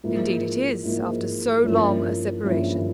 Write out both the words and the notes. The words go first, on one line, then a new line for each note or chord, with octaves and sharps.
"Indeed it is, after so long a separation."
G#2 F3 A#3 E4
G#2 F3 A#3 E4
G2 F3 A#3 C#4 E4
G2 F3 A#3 C#4 E4